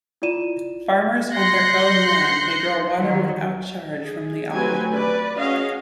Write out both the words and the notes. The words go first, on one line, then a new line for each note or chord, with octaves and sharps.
Farmers on their own land may draw water without charge from the aquifer.
E4 F4 D5 D#7 E7
C6 F#6 G6 A#6 C7 C#7
D#3 F3 F#3
G#4
F#3 A3 C4 G4 B4 G#5
B4 D5
C#4 F#4 G#4 D#5 F5